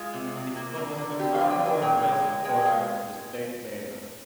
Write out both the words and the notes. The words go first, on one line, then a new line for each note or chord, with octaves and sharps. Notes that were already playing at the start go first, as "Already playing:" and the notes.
It covers the far north-west corner of the state mainland.
Already playing: G#3 F4
C3
C3
A#3
D3
D3
D3 G4
F5
D3
G5
D3
G#5
A#2 G5
G#3
G#3
G#3 G5
G#3 F5